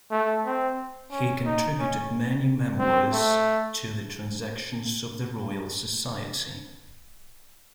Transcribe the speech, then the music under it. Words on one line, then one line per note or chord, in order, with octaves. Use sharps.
He contributed many memoirs to the "Transactions of the Royal Society".
A3
C4
C#4
D#4
C#4
C4
A3